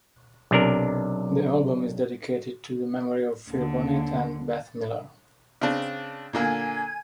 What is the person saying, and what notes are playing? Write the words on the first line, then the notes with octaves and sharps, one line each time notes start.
The album is dedicated to the memory of Phil Bonnet and Beth Miller.
B1 C3 D4 A#4
D#2 D3
C#3 C4 D4
A#2 D3 A#3 G#5 G#6